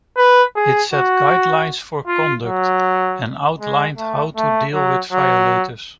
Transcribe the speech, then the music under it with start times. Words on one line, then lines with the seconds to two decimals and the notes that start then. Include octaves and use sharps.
It set guidelines for conduct and outlined how to deal with violators.
0.17 B4
0.56 G#4
0.94 F#4
2.07 F4
2.45 F#3
3.60 G#3
3.97 A3
4.36 A3
4.74 F#3
5.12 F#3